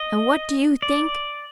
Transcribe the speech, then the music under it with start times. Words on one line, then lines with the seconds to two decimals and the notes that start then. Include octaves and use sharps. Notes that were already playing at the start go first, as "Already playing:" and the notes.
And what do you think!
Already playing: D#5
0.82 D5